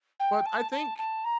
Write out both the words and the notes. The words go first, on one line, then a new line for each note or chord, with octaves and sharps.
But I think
G5
A5
A5
A5
A#5